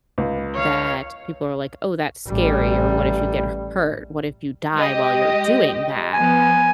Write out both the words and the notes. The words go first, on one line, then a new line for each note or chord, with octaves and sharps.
that people are like, "Oh, that's scary," or "What if you get h hurt? What if you die while you're doing that?"
C#2
C#5 F5
A1 G3
G#3 G4 D#5
F3 B3 G#5